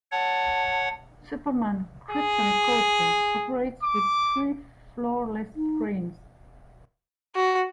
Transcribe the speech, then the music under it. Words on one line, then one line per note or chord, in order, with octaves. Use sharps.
"Superman: Krypton Coaster" operates with three floorless trains.
C#5 F#5 A5
G#4
D6
D#4
F#4